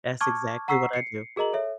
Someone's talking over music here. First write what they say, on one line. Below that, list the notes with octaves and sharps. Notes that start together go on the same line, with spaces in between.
That's exactly what I do.
A5 C#6 D6 F6 G#6
F#5 A#5 C#6 E6 B6 C7
C7 C#7
F#4 G#4 A#4 D#5 A#5 F#7
A4 C#5 E5